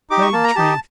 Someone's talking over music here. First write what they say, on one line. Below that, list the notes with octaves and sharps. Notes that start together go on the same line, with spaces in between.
They drink!
D#4 G4 D6
C#6
A#3 A5
A#5
D#4 G4 A5